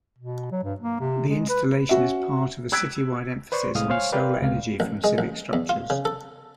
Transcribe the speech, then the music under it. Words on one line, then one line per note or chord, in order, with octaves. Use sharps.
The installation is part of a citywide emphasis on solar energy from civic structures.
B2
F#3
G2
A#3
C3
G#3
B4
C#4 F#4 E5
E6 F#6 G#6 B6 D7
B4 C5 D5 C6 C#6
C2 A2 G#3 F5 D#6 F6
C5 C#5 F5 G#5 C#6
G4 A#4 B4 D5 F5 G5
C#2 F5
A1
G#3
A1
E2
F4
C#3
A4